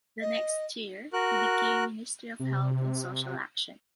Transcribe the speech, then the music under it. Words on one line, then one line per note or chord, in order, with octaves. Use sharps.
The next year, he became Ministry of Health and Social Action.
D#5
F#4 A#4 F#6
C3